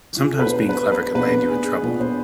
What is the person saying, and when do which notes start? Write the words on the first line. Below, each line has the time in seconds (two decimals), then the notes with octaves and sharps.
Sometimes being clever can land you in trouble.
0.17 F4
0.24 G#4
0.31 A4
0.39 B4
0.46 B2 B3 D4 C5
0.69 B4
0.92 B4
1.15 B2 B3 D4 B4
1.49 G#4
1.83 B2 B3 D4 F4
2.00 C5